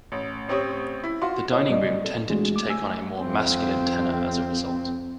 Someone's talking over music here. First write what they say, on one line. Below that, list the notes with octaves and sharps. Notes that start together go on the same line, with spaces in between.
The dining room tended to take on a more masculine tenor as a result.
A1
A1 C4 G4 C#5 D#6
E4
F4 F#4 C6
E4 C#5 D#5
G2 G3 C4 D5 D#5
A4
E3 G#3 A3 C4 D4 F#4
D6
C#2 A3 G#5 E6
F2 C4